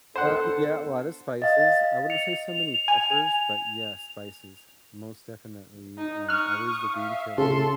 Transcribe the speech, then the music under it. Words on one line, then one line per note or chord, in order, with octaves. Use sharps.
Um, yeah, a lot of spices. I wouldn't say so many peppers, but, yeah, spices. Most definitely, um, always the green chili,
B3 D4 A4 C5 F#5
D#5 F5 A6
C#7 F7
G#5
F7
D#4
C#6 D#6 F6 F#6
E5 F5
C#3 A4 C6